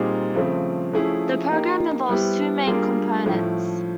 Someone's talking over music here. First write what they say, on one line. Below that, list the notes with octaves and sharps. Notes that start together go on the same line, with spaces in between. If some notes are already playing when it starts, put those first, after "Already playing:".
The program involves two main components.
Already playing: A#2 G3 C4 D#4 G#4
C#3 F3 A3 C4
F3 A3 C#4 E4 G#4
A#3 D#4 G4
G3 B3 E4 G4 C5
G3 A#3 D4 F4 G#4
A2 F3 A3